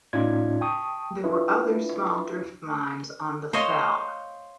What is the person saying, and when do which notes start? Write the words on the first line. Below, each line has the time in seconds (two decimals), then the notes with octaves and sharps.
There were other small drift mines on the fell.
0.13 A2 C#4 D#4 F4 D5 G#6
0.61 G5 A5 C#6 D#6
1.24 D4 E4 F4 B4
3.53 C5 C#5 D#5 F5